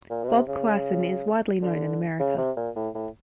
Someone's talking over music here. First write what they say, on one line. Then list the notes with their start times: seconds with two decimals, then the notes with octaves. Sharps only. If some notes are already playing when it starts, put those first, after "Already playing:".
Bob Coassin is widely known in America.
0.10 A#2
0.23 B2
0.29 C3
0.48 C#3
1.62 D3
2.19 C#3
2.38 C3
2.56 A#2
2.76 A2
2.95 A2